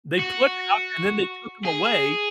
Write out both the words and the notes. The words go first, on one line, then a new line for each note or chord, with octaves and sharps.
they put it out, and then they took 'em away
F#4
G#4